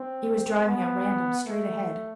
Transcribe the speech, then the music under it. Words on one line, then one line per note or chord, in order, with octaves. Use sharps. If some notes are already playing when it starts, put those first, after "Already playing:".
He was driving at random, straight ahead.
Already playing: C4
B3
A3